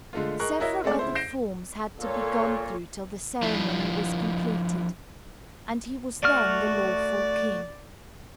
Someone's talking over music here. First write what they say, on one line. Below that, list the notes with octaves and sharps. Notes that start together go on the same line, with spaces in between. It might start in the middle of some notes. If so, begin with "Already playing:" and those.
Several other forms had to be gone through till the ceremony was completed; and he was then the lawful king.
D3 G#3 A3 F4
G#4 A#4 D#5 C#6 F#6
E4 F#4 A#4 C#5 D#5 E5
G#3 A3 C4 A4 D5
C#3 E4 C5
G6 A#6 C7 D7 E7
A#2 A4 C#5
F3 D4 E4 F4
A3 F#4 D5 F6